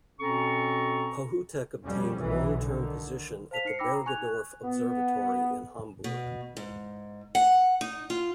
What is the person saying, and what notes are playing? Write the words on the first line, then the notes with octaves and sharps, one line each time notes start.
Kohoutek obtained long term position at the Bergedorf Observatory in Hamburg.
B2 C4 C#4 A4 A#5 C#6
F2 B2 G3 C#4
B1 E3
D3 D#3
C5 F5 A5 B6 F7
D#4 C5 C7 C#7
D#4 G5 B5 D6 E6 A#6
A#5
G#5 C#6 F#6 G#6 F7
F#6
B3
B2
G#2
F#5
D#4
F4